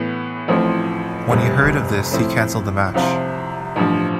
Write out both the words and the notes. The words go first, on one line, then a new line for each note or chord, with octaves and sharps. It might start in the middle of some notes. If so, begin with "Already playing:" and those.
When he heard of this he cancelled the match.
Already playing: A2 E3 B3
A1 A2 F3 C4
F1 F2 C3 G3
A2 F3 C4 E4
C2 C3 F3 C4 F4
A1 G2 F3